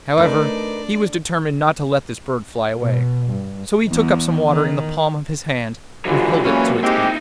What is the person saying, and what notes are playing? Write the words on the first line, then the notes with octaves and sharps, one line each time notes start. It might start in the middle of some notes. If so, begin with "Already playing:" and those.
However, he was determined not to let this bird fly away; so he took up some water in the palm of his hand and held it to its beak.
A3 D4 D#4 A#4 B4 D5
B2
G2
E2
D#3
G#2 D3 E3 F#3 G#3 F4 G4
A#2 E3 A#3 C#4
G#3 C4 D#4 E4 G4